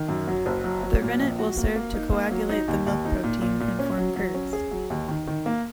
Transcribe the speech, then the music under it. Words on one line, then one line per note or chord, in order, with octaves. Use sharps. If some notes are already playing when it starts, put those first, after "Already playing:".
The rennet will serve to coagulate the milk protein and form curds.
Already playing: D#3
F#2
F#3
F#1
F#3
F#3
A#2
A#1
F#4
A#3
A#3
D#4
A#3
F#3
D#4
D#2
D#2
D#4
A#2
A#2
A#2
C#4
F#3
F#3
C#4
G#4
F#3
D#2
D#3
D#3
A#3